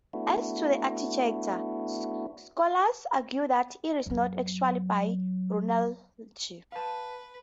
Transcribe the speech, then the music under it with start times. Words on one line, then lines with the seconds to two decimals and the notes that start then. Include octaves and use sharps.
As to the architect, scholars argue that it is not actually by Brunelleschi.
0.13 A3 B3 D4 E4 F#4
4.06 F#2 F#3
6.72 B4 F5 A5